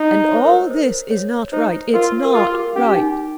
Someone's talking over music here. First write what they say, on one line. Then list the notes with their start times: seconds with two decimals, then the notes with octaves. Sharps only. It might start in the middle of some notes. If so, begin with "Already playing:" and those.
And all this is not right, it's not right!
Already playing: D#4
0.29 C#5
0.36 C5
0.45 A#4
0.52 C5
0.71 C5
1.11 C#5
1.52 D#4 C5
1.94 F4 A#4
2.25 A#4
2.34 F4 G#4
2.54 G#4
2.75 C#4 G4
2.96 D#4